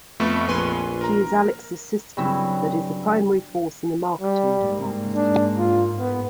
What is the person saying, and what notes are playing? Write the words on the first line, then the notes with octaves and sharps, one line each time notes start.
She is Alex's sister, but is a primary force in the Marketing Department.
F2 A3 B3 C#6
A#1 B4 G#5 C6
A#4 A#5
G2 C#3 F#3 C4 E4
G3
G#2 A#3
D4
F4
B3